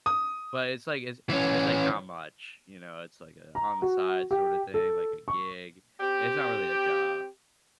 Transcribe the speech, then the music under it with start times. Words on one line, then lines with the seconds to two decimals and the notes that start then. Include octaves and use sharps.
but it's, like it's it's, like, not much, you know? It's like a on-the-side sorta thing, like a gig. It's not really a job,
0.06 D#6
1.30 E3 C#4
3.55 A#5
3.82 F#4
4.31 G4
4.74 A4
5.28 C#6
6.01 C4 G4